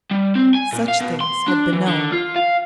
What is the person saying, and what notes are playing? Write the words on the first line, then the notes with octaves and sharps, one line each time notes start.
Such things had been known.
G3
C4
G#5
A#2
F5
B2
C6
D4
E3
D3
F4
F5